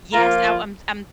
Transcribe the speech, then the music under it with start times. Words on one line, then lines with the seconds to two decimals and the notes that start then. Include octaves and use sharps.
Yes, I I'm I'm
0.13 F3 A#3 F4 A#5